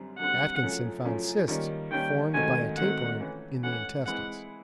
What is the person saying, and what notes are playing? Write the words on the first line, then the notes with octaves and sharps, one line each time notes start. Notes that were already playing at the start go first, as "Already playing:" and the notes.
Atkinson found cysts formed by a tapeworm in the intestines.
Already playing: F#2 D3 G3 C4
F#2 D3 G3 C4 F#5
F#2 C#3 F3 A3 C#4
F#2 C#3 F3 A3 C#4
D#3 G3 A#3 C#4
D#3 G3 A#3 C#4 G5
G#2 D#3 F#3 A3 C4 G#5
G#2 D#3 F#3 A3 C4 F#5
E3 A3 C#4
E3 A3 C#4 F#5
E3 G#3 C4 E4 G#4 F#5